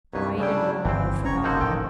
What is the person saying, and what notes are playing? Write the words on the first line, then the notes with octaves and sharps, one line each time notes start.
Right and wrong were forgotten.
C2 G2 D#4 B4 C#5
C#3 G3 D4 E4 G5
G1 E3 C4 G5
F1 C#3 C#4 C#5 A#5 C#6
A#3 D#4 F#4 A4 C5
A#1 A2 D#3 G5